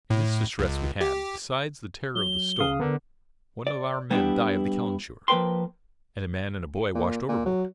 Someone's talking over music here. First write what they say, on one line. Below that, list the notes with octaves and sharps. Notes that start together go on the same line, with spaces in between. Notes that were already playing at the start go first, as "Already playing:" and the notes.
In this distress we had, besides the terror of the storm, one of our men die of the calenture, and a man and a boy washed overboard.
A2
C#2
G4
F#3 G7
C#3 F5 D#6
D3 B3 A#4
D5
G3 B3 D4 E4 G4
F3 A#3 A#4 B4 G5 C6
A#2
A#2
F#3